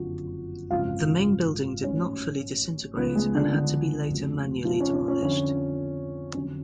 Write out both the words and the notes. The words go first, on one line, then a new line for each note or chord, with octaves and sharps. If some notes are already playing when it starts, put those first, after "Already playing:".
The main building did not fully disintegrate and had to be later manually demolished.
Already playing: F#1 F2 D3 F3 F#4
G#1 F#2 C#3 F3 F4 F5
A1 G#2 F#3 C#4 C#5
C#2 C#3 F3 B3 B4
G#3 G#4
D3 D4
D3 D4
F1 F2 C#3 F#3
F3 F4
C#4
C#4
C#4
F2 D3 F3 C#4
F2 D3 F#3 C#4